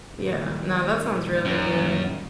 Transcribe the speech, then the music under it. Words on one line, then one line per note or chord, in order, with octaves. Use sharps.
Yeah, no, that sounds really good.
A#2 D#3 G3
F#2